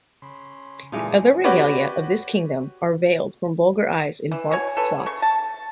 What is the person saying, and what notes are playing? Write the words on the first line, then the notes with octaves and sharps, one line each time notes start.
Other regalia of this kingdom are veiled from vulgar eyes in bark-cloth.
C#3 B5 C6
A#2 E3 G#3 A3 D#4 D5 A5 D#6
F#4 G4 B4 C#5 D5 F#5
E3
B2 C#5 G#5
A4 B4 C#5
C#3 C#6
A5